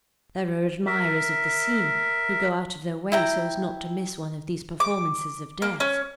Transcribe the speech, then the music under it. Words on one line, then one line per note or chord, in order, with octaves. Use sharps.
There are admirers of the scene who go out of their way so as not to miss one of these performances of death.
A#4 E5
E4 G5 A#5
D6
A#3
C#4